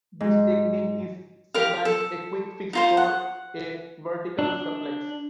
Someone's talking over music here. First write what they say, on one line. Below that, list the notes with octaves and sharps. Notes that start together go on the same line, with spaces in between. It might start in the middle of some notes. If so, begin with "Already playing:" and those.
This technique is sometimes a quick fix for a vertical suplex.
G#2
G4 A#4 F5
A4
D#4 F4 C5
F#5
D4